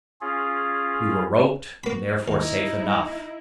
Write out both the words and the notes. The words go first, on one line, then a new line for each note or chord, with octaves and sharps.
We were roped, and therefore safe enough.
C#4 F4 G#4
A#3 F#4 B5
D#2 D#4 E4